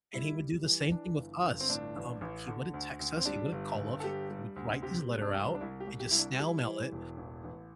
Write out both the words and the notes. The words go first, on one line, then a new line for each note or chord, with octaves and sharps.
And he would do the same thing with us. Um, he wouldn't text us, he wouldn't call up, he would write these letter out and just snail mail it
G3 E4
G3
E3
E3 D4
G1
G1
C4
A2 D4
A1
A1
D3
D2
D2
C4
G3 D4
G1
G1
A4
G3 G4
G3
D2
C3 G4
G3
D4
C2
D4
C2 E4
G4
C2
G4
C2 E4
D4
G4
G3 E4
E3
E1
A1
A1